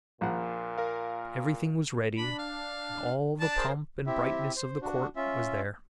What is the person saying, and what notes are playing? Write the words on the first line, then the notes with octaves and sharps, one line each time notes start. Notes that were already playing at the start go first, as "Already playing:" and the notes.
Everything was ready, and all the pomp and brightness of the court was there.
A#1 A#2 F3 F#5
A#4 F5
D4 B5
F5
D4 A5
G#4 A#4 C5
C4 E4 G4 E5
C5
D4 F#4
C#4 F4 E5